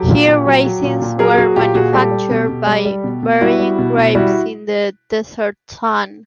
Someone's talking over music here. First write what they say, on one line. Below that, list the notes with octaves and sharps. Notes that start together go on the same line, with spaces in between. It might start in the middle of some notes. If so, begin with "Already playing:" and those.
Here, raisins were manufactured by burying grapes in the desert sun.
Already playing: F#3 G4 A4
A#2
A#2
F#3
F#3
A#2
A#2
F#3 G#4 A#4
F#3 F#4 G#4
A#2 F4 G4
A#2 F#4 G#4
G3 G4 A4
G3
B2
B2
G3
G3
B2
B2
G3 E4 F#4
G3
B2
B2
G3 E4 F#4